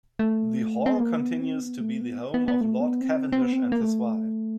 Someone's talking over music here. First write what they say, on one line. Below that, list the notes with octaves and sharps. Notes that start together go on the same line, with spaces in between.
The hall continues to be the home of Lord Cavendish and his wife.
A3
C4
B3
A#3
B3
C4
B3
A3
B3
B3
B3
A3
B3
C4
C4
B3
C4
B3
A#3
A3